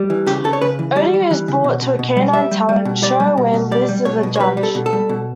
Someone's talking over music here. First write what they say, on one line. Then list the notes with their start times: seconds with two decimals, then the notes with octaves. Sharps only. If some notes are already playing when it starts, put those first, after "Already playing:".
Odie is brought to a canine talent show, where Liz is a judge.
Already playing: G3
0.10 E3
0.26 C#3 G4
0.44 C#3 A4
0.53 C#5
0.61 C#3 B4
0.79 E3
0.96 G3 D5
1.14 G3
1.31 E3
1.48 C#3
1.64 B2
1.82 B2
1.99 B2
2.17 G3
2.33 G3 E5
2.51 G3
2.69 G3
2.85 B2
3.02 G3 D5
3.20 G3
3.37 B2
3.54 B2
3.71 G3 D5
3.88 G3
4.05 B2 C#5
4.23 B2
4.36 C#5
4.40 G3 B4
4.57 G3
4.63 A4
4.75 B2
4.86 A4
4.93 G3
5.09 B2